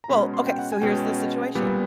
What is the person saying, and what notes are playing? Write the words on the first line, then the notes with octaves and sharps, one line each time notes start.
Well, okay, so here's the situation,
A#5
B2 G#3 C#4 B5
C6
G5
F#5
G#5
B2 G#3 C#4 G5
A#2 G3 B3